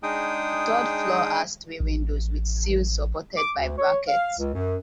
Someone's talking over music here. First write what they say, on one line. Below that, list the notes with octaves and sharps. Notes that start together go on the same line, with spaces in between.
The third floor has three windows with sills supported by brackets.
G#3 D4 D#4 G#4 G5 D#6
A1
D6
D2
C#5
F5
C#2
F#2